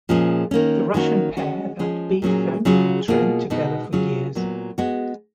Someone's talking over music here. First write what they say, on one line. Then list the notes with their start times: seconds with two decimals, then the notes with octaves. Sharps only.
The Russian pair that beat them had trained together for years.
0.09 A#2 F3 G#3 C#4 G#4
0.51 D#3 A#3 C#4
0.94 D#3 A#3 C#4 F#4
1.37 G#3 C#4 F#4
1.79 F3 G#3 C#4 G#4
2.22 A#2 F#3 C#4 G#4
2.65 C#3 F#3 C#4 F4 G#4
3.08 B2 A#3 F4 G#4
3.50 B2 G#3 B3 D#4 F#4
3.93 F#3 C#4 F4 G#4
4.35 A#2 F#3 B3
4.78 G#3 B3 F#4